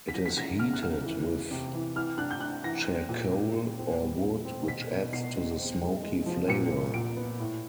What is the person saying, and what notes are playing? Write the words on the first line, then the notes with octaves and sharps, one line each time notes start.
It is heated with charcoal or wood which adds to the smoky flavour.
B6
F3 A#6
B6
C#3 A#6
C#3 F6
F#6
C#3 F6
E3
E3
C3
E3
E3 F6
D4 F#6
G6
D4 F#6
E3 A#6
C4
A#2
A#2
A#2
C4
G3
A#2
C4
B2 B6
B2
B2 C7
B2
C4
G#3
G#3
F3
A#2 C#7
A#2
A#2 D7
B3
A2